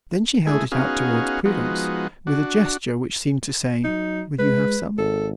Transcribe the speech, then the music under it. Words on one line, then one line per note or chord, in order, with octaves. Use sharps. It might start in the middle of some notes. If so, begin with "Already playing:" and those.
Then she held it out toward Prudence, with a gesture which seemed to say, "Will you have some?"
G#3 A3 E4 G#4
B3 C#4 D#4 F#4 G#4 F5
F3 G#3 B3 D#4 F#4
D4 F#4
F#3 D#4
G#3 B4
G#1 A4